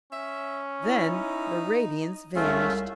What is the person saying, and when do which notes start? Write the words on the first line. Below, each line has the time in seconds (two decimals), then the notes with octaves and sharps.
Then the radiance vanished.
0.13 C#4 E5
0.84 D#4 E4
2.36 C2 G#3 A3 C#4 F4 E5